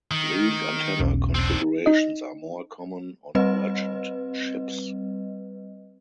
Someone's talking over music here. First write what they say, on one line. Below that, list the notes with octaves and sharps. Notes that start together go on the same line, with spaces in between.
These antenna configurations are more common on merchant ships.
D#3
E1 B1 C#4
C4 D4
D#4 D#5
G3 C4 B4 D#5